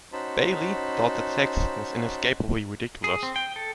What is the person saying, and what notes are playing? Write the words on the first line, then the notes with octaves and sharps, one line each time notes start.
Bayley thought that sex was inescapably ridiculous.
C#4 D#4 F#4 C5 A5 B5
G#4
C4
G5
A4